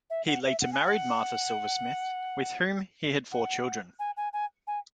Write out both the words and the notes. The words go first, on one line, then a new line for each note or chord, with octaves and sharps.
He later married Martha Silversmith, with whom he had four children.
E5
F#5
E5
F#5
G#5
F#5
F#5
G#5
G#5
G#5
G#5